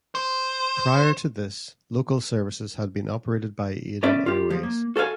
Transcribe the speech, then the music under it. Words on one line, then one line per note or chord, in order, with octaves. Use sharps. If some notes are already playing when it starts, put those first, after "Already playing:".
Prior to this, local services had been operated by Aden Airways.
C5
B3 C#4 D5 E5
F4 G4
F3
A#3
F#4 A4 A#4 F5 G#5